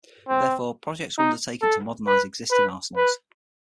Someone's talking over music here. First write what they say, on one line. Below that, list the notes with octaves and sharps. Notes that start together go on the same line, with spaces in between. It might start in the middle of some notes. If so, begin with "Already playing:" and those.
Therefore, projects were undertaken to modernise existing arsenals.
C4
D#4
A4
B4
B4
B4